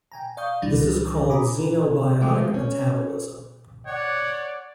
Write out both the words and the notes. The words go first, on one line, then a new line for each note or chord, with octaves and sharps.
This is called xenobiotic metabolism.
G5 G#5 A#5
D5 F5 C#6 D#6 G6
C#2 E3 G3 D4 A6 A#6
F#4 G#5 A#5 B5 D6 D#6
D#3 F3 G#3 A3
C#4
C#5 D5 F#5